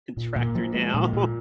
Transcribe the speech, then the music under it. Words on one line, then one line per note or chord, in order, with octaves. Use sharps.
tracked her down
A#2
A#2
F3
G#3
A#2
A#2